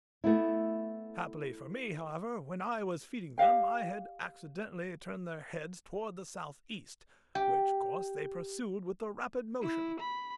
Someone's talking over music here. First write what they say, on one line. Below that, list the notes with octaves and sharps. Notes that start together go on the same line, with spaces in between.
Happily for me, however, when I was feeding them I had accidentally turned their heads towards the south-east, which course they pursued with a rapid motion.
A3 B3 E4
G4 D#5 F5 G5
G4
E4
B5